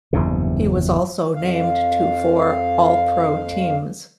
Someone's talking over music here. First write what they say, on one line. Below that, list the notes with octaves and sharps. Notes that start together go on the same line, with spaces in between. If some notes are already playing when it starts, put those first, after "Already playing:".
He was also named to four All-Pro teams.
F#1 E2 G2 C3
F2 F5